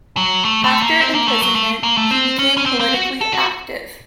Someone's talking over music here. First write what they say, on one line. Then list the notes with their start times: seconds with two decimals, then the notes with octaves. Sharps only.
After imprisonment he became politically active.
0.17 F#3
0.45 A3
0.64 A3
0.82 A#3
1.01 C4
1.15 A#3
1.28 A3
1.42 F#3
1.55 A3
1.83 A#3
1.97 A3
2.11 C4
2.39 C#4
2.58 C#4
2.66 C4
2.80 C4
2.94 F#4
3.21 A4
3.33 F#4